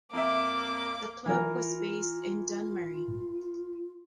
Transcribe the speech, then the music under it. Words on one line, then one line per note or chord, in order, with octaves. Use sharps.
The club was based in Dunmurry.
F2 A#3 E5 D6
E3 F4 A#4